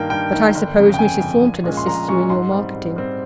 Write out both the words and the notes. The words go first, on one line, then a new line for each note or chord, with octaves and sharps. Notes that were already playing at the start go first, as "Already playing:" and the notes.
But I suppose Mrs. Thornton assists you in your marketing.'
Already playing: G2 D#3 A#3 G5
G2 G5
D#3 A#3
G1
F2 C#3
G5
G1 G#5
F2 C#3
A#1
A#2 G#3 C#4
C6
A#1 A#5
A#2 G#3 C#4 C#6
G#2 C6
G3 C4
G#2
G3 C4